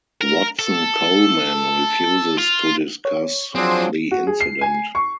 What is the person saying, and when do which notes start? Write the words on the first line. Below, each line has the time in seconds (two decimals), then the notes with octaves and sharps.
Watson-Coleman refuses to discuss the incident.
0.21 A#4
0.59 A4
2.38 F4
3.05 C#5
3.55 F3 F#3 C4 D4 G#4 C6
4.11 F#4
4.27 G#4
4.40 C7
4.61 G#5
4.95 C#6